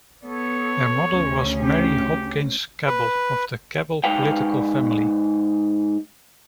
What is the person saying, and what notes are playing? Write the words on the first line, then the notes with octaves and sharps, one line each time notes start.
Her mother was Mary Hopkins Cabell, of the Cabell political family.
B3 A4 C#5
D2 C#3 C#4
G4
B4
G#2 B4 F5 G5